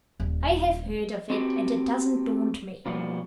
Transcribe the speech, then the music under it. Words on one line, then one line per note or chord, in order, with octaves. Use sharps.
"I have heard of it--and it doesn't daunt me."
D#1
C4 F#4 G4
B2 F3 G3 A#3 F4 F#4